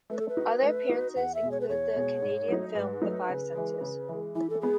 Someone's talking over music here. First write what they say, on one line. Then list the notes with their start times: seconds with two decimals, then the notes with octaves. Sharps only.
Other appearances include the Canadian film "The Five Senses".
0.10 A3 B4
0.19 A4
0.29 B4
0.37 D#4 F#4
0.63 A3
0.89 D#4 F#4
1.16 E2 F#5
1.34 E5
1.43 B2 G#3
1.51 C#5
1.60 B4
1.69 E2 C#5
1.96 B2 G#3
2.22 G#2
2.48 F#3 A3 D#4
2.75 G#2 B4
3.02 F#3 A3 D#4
3.29 C#3
3.55 E3 G#3
3.81 C#3
4.09 E3 G#3
4.35 E3 E4
4.50 A4
4.61 G#3 B3 G#4